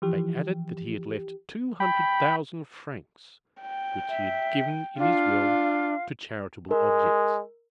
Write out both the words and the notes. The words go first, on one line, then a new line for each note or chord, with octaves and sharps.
They added that he had left two hundred thousand francs, which he had given in his will to charitable objects.
E3 F3 G4
G5 B5
G5
E5
D4 F4 F5
G#3 A#4